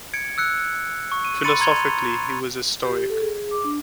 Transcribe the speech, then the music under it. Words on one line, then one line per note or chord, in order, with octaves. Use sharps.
Philosophically he was a Stoic.
G#6 C#7 D7
E6 F#6 C#7
C#6
D#7
B5 C6 A6 C#7 D#7
A#5 C6 G#6 C#7 F7 G7
G4
A4
G#4
G#4
D6
D4